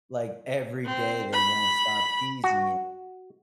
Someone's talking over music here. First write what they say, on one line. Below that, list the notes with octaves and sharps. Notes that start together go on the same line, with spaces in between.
like every day they won't stop teasing it.
C4
B5
F#4